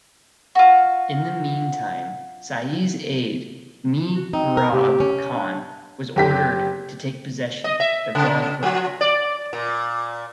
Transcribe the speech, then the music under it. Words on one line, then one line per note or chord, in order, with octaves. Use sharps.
In the meantime, Shah's aid Mihrab Khan was ordered to take possession of Jodhpur.
F4 F#4
F#4
C4 D#4
A#4
C3 G4
C#4
D4
F#1 G4 B6
D#5
E5
C#3
F3
D5
A#2